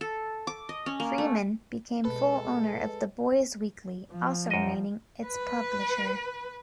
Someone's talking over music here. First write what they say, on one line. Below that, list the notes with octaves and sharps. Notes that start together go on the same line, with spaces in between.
Freeman became full owner of the "Boise Weekly", also remaining its publisher.
A4
D6
D#5
C#4
A#3
A3
B2 G#3 B3 A4 B4
F3
F#2 D#5
B4